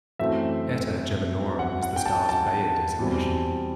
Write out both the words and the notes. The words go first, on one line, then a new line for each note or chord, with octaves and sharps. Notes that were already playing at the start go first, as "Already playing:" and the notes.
"Eta Geminorum" is the star's Bayer designation.
F#2 E3 A3 C4 E5
F#5
F#5
G5
A5
A5
E2 B2 G3 C4